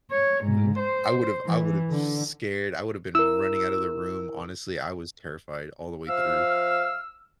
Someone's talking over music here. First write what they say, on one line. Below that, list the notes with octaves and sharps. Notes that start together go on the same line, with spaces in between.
Mhm, I would've I would've scared I would've been running out of the room. Honestly, I was terrified all the way through.
C#5
G#2
C5
E3
D3
E4 A#4 E6
F3 E5 F5 E6 F6